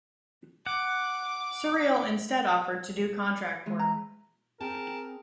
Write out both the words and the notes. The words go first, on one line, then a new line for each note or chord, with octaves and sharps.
Surreal instead offered to do contract work.
F#5 D6
E3 G#3
A#5
C4 G#4 A#4 G5 A5